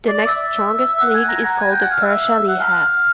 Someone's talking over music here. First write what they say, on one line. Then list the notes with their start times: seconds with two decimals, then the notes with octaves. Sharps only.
The next strongest league is called the "Persha Liha".
0.08 D5
0.27 E5
0.86 E5
1.00 F#5
1.14 G#5
1.29 A#5
1.44 F#5
1.61 G#5
1.71 G5
1.81 F#5
1.91 F5
2.02 E5
2.48 F#5
2.60 F5